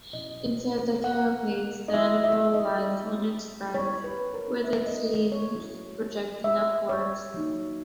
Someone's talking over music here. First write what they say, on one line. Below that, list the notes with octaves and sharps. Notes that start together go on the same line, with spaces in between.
Inside the carapace, the animal lies on its back, with its limbs projecting upwards.
B2 F#3 C#4 E4 D#5
F#5
D#5
F#3 B3 E4 E5
E5
D#5
F#3 B3 E4 C#5
B4
A#4
E5
D#5
C#5
F#3 C#4 E4
E5
C#5
F#3 A#3 D#4